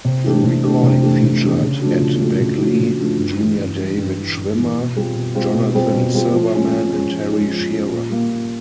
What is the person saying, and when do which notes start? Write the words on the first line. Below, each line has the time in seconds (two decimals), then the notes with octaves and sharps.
The recording featured Ed Begley, Junior David Schwimmer, Jonathan Silverman and Harry Shearer.
0.05 C3
0.24 E3 A3 D4 G4
0.43 C3
0.64 E3 A3 D4 G4
0.83 C3
1.03 E3 A3 D4 G4
1.23 C3
1.43 E3 A3 D4 G4
1.62 C#3
1.81 F3 A3 D4 F#4
2.01 C#3
2.21 F3 A3 D4 F#4
2.41 C#3
2.60 F3 A3 D4 F#4
2.80 C#3
3.00 F3 A3 D4 F#4
3.18 G2
3.39 E3 G3
3.58 G2
3.78 E3 G3
3.98 G2
4.17 E3 G3
4.37 G2
4.56 E3 G3
4.76 B2
4.95 G3 C4 F4 G#4
5.15 B2
5.35 G3 C4 F4 G#4
5.54 B2
5.74 G3 C4 F4 G#4
5.94 B2
6.14 G3 C4 F4 G#4
6.33 F3
6.53 G#3 C#4
6.72 F3
6.92 G#3 C#4
7.12 F3
7.32 G#3 C#4
7.52 F3
7.71 G#3 C#4
7.91 A#2
8.10 G3 A#3
8.30 A#2